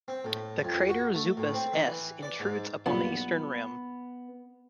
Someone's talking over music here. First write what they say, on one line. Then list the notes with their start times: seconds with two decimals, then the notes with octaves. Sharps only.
The crater Zupus S intrudes upon the eastern rim.
0.08 C4
0.25 A2
0.63 F2
0.89 F#4
1.14 A3
1.37 A2
1.54 C4
1.73 E3
2.23 D5
2.40 G#2
2.86 B1 G2 A#2 B3